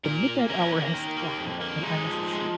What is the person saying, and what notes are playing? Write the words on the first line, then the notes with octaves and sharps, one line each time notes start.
The midnight hour has struck, and I must sleep.
A#2 A#4
A#3
C#4 A#4
A#3
D#3
A#3
F2
A#3
G#3 D#4
F3
G#3